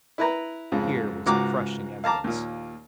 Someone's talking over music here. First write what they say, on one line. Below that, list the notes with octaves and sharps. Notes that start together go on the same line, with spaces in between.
Here was crushing evidence.
E4 B4 A#5
F2 G#2 C#3
C#2 G#2 F#4 A#5 D6
F5 A5 A#5 D6
D#2 A#2